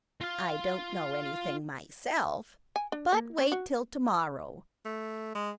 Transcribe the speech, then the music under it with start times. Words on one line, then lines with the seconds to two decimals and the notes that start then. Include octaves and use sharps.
'I don't know anything myself, but wait till to-morrow.
0.21 F4 F5
2.76 G#5
2.92 D4
3.12 A#3
3.38 C#4
3.52 F#4
4.85 A3
5.35 G#3